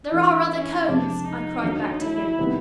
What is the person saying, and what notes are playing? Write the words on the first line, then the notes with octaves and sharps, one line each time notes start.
"There are other Cones," I cried back to him.
E3 A3 D4 F4
C#4
F2 C3 F3 G#3 D4
D#4
D#2 D3 F#3 A3 C#4
E4
C3 D#3 G3 B3